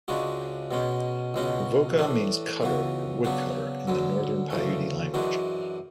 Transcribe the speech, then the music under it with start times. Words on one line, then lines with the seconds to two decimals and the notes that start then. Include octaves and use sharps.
Wovoka means "cutter" or "wood cutter" in the Northern Paiute language.
0.08 C#2 C#3 G#3 D4 F#4
0.71 B2 G#3 C#4
1.34 C#2 B2 G#3 C#4 F#4
1.98 A2 E3 A3 D4
2.61 C#2 C#3 E3 B3 F#4
3.24 C#3 F#3 B3 D4 F#4
3.87 D2 D3 F#3
4.50 D2 C#3 E3 A3
5.14 F#2 E3 G#3 D4 F#4